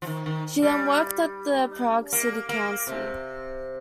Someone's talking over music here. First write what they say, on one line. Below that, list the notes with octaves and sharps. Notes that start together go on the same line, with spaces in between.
She then worked at the Prague City Council.
F3
D#3
D#3
G3
A#3
A#3
C3